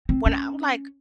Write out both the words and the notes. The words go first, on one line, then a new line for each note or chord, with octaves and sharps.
when I'm like,
C4
C#4